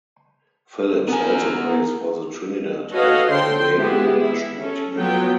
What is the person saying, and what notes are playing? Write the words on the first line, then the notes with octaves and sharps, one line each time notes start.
Phillips also plays for the Trinidad and Tobago national team.
B3 A#4 G#5
F#4 A4 B4 C#5 D#5 F5
D3 A4 C5 G5 C6
G#3 B3 E4 G4 G#4
E4
C#4 A4
F#3 B3 F4 G5